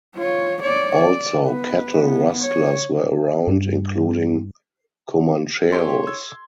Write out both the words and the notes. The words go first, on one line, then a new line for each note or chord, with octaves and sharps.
Also, cattle rustlers were around, including Commancheros.
F4 C#5
C#5 D5
D5
B3 B4
B3
C#5
G2
G4 A4 C#5 C6
E6 G#6